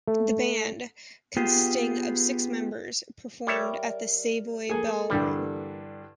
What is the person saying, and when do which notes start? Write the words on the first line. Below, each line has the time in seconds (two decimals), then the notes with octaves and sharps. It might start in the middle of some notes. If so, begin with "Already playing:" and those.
The band, consisting of six members, performed at the Savoy Ballroom.
0.08 A3
1.37 B3 F4 G4 G#4
3.47 G3 A#4 C#5 D5 E5
4.69 A#3 G#4 A4 G#5
5.10 G2 D3 E3 G3